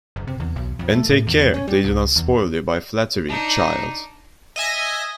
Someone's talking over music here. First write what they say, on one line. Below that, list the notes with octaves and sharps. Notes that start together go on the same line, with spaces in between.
And take care they do not spoil you by flattery, child!
F#1
C3
E2
B1
F2
A3
A2
E2
C#4
G3
C2
E2
D4 D#4
D#5 E5 G#5 A#6